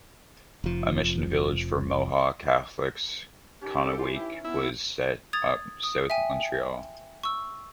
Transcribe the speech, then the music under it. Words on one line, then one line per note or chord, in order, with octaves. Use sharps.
A mission village for Mohawk Catholics, Kahnawake, was set up south of Montreal.
F1 F3
D#3 C#4 G4
A4
E3 F4
E4 E5
B3 E4
D#6 G#6 A6 F7
D#6
E5 G5 G#5 D#7
C#6 E6